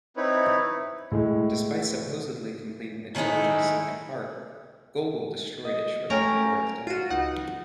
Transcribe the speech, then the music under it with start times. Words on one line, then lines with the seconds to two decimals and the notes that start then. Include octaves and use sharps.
Despite supposedly completing the trilogy's second part, Gogol destroyed it shortly before his death.
0.17 C4 D#4 E4 B4 C#5
1.12 A2 G#3
3.15 A2 D#3 G#3 A3 E4
5.65 D#5
6.10 A3 C#4 A#4 G5 A#5 D7
6.87 F4 F#4
7.10 C#2 D#4 F#5